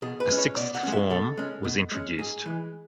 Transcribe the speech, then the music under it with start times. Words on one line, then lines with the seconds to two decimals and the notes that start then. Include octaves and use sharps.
A Sixth Form was introduced.
0.02 B2 G#4
0.20 B4
0.29 G#3 C#4
0.38 C#5
0.56 B2 D5
0.75 F#5
0.83 G#3 C#4
0.92 E5
1.10 B2 A4
1.37 G#3 C#4
1.64 B2
1.92 G#3 C#4
2.18 G#2 G#4
2.46 E3 G#3